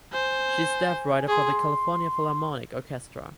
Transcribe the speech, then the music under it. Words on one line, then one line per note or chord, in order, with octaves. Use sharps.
She is staff writer for the California Philharmonic Orchestra.
C5 G#5
G#4 C6 C#6